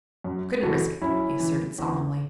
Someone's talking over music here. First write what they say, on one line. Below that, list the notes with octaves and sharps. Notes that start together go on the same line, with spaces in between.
"Couldn't risk it," he asserted solemnly.
F#2
E3 F#4 A4
F#2 C#4 E4
E3
E2